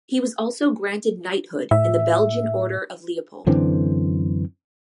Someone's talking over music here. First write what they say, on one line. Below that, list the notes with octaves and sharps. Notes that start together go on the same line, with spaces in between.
He was also granted knighthood in the Belgian Order of Leopold.
A2 E5
F#2 D3 E3 C4